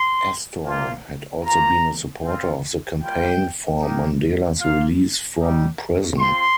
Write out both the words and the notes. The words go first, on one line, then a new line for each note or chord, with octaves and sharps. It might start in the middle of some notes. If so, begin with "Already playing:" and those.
Astor had also been a supporter of the campaign for Mandela's release from prison.
Already playing: C6
A#3 F4
A#3 F4 A#5
C4 F4
G3 A#3 F4 G5
A#3 D#4 G4
A#3 F4 F5
G3 D#4 G4
C4 F4 C6